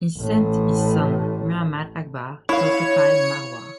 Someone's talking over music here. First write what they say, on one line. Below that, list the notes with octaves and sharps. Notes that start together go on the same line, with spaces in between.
He sent his son, Muhammad Akbar, to occupy Marwar.
A1 A2
E4 C#5 F5